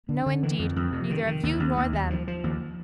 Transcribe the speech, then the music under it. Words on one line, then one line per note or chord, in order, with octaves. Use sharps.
No, indeed, neither of you nor them.
D3
D3
E3
F2
F2
C3
D#3
D#3
D#2
D#2
D#2
D#2
F3
F3
D#2